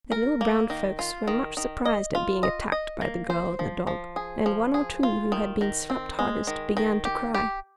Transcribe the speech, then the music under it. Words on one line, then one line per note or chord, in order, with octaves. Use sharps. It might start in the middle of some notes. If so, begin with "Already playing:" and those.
The little brown folks were much surprised at being attacked by the girl and the dog, and one or two who had been slapped hardest began to cry.
A#4
A#3
D#3
F4
D#3
D#3
D#5
F4
D#5
D#5
A#3
C5
F3
F3
G#4
F3
G#4
F4
D#3
D#3
C4
G#3
D#3
D#3
G4
G4